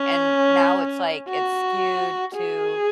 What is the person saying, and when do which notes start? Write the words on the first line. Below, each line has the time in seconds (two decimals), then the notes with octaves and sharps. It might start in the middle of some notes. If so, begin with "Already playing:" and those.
and now it's like, it's skewed to
Already playing: C#4
1.29 F#4
2.35 G#4